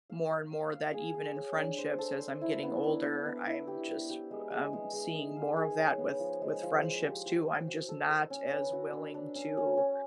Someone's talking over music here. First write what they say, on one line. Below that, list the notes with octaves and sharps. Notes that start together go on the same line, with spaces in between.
more and more that even in friendships as I'm getting older, I'm just, um, seeing more of that with with friendships, too. I'm just not as willing to
F5
F5
F5
F5
G#4
G#4
C#5
D4
C5
A4
C5
E4
B3
D4
B3
B3
E4
G4
G4
G4
G#3
G#3
G#3
G#3
D#4
F5
G#4
C#5
B3
F3
G#3
F3
C5
G4
G4
C5
F#4
A4
A4
C#4
B4
F#4
D4
D4
C#4
C#4
C#4